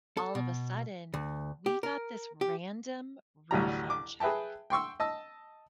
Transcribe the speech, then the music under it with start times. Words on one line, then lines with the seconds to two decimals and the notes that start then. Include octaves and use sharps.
all of a sudden, we got this random refund check
0.17 A4
0.35 B2
1.14 D2
1.66 G4
1.83 A#4
2.41 G4
3.51 A1 D2 F#3 G3 G5 A#5
3.90 D6
4.20 G#4 B4 E5 G5 A5
4.70 G5 C6 C#6 E6
5.00 D#5 A5 E6